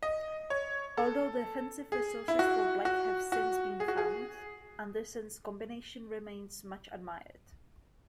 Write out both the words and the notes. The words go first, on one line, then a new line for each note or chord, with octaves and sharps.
Although defensive resources for Black have since been found, Anderssen's combination remains much admired.
D#5
C#5
A4
G#4
E4
F#4
F#4
F#4
G#4
F#4
G#4